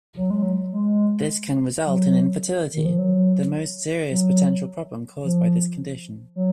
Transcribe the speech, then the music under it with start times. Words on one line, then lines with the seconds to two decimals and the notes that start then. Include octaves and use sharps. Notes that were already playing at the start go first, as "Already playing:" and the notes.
This can result in infertility, the most serious potential problem caused by this condition.
0.17 F#3
0.30 G#3
0.42 F#3
0.72 G#3
1.86 F#3
2.73 D#3
2.85 F3
2.98 F#3
4.10 F#3
5.23 F3
6.36 F#3